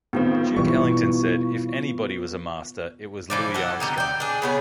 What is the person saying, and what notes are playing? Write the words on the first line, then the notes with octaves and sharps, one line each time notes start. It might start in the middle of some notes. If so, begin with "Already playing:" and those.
Duke Ellington said, If anybody was a master, it was Louis Armstrong.
A2 D#3 B3 C4 F4 B4
B2 E3 G3 C#6
E3 F3 D5
A4 F#5
D3 G3 D#4
D5 G5
D4 G#4
C#3 B3 G#4